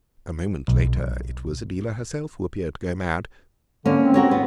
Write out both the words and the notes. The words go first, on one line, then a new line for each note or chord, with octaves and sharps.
A moment later it was Adela herself who appeared to go mad.
B1
D3 A#3 C#4
C4
F#4 A#4 C#5
B3